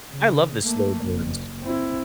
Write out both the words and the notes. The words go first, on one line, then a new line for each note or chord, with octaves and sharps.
I love the slow burns.
C#3
A3 A#3
F#1
C4 E4